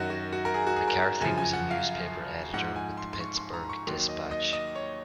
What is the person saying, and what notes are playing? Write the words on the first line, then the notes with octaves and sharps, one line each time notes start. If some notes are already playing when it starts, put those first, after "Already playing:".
McCarthy was a newspaper editor with the "Pittsburgh Dispatch".
Already playing: F#2 D#3 F#3 F#4
F#4
F#4
A#4
G#4
F#4
G#4
A#4
F#2 C#3 F3 G#5
G#5
F#5
F5
G#2 F3 F#5
G#5
C6
C6
C#6
C6
A#5
C#6
D#2 D#3 F#3 C6
D#5
D#5
D#5
C#5